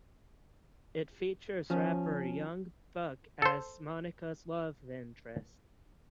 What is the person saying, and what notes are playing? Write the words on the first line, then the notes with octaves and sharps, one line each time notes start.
It features rapper Young Buck as Monica's love interest.
F3 C#4
A4 C5